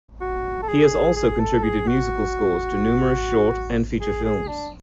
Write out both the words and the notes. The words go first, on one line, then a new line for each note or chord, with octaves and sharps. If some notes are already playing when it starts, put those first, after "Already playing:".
He has also contributed musical scores to numerous short and feature films.
F#4
A4
G#4
G#4
A4
G#4
F#4
G#4
G#4
D4